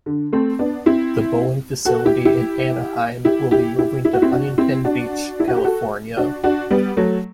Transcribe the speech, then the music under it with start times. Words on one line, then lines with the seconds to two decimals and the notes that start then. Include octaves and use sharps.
The Boeing facility in Anaheim will be moving to Huntington Beach, California.
0.06 D3
0.33 A3 C4
0.59 B3 D4
0.86 C4 E4
1.85 F#4 A4
2.05 E4 G4
2.25 E4 G4
3.25 E4 G4
3.51 E4 G4
3.78 E4 G4
4.05 E4
4.13 F#4
4.22 C4 E4
4.31 D4 F#4
4.58 C4 E4
4.84 D4 F#4
5.40 E4
5.48 F#4
5.56 G4
5.64 F#4 A4
6.17 D4 F#4
6.44 D4 F#4
6.71 G3 B3
6.97 F#3 A3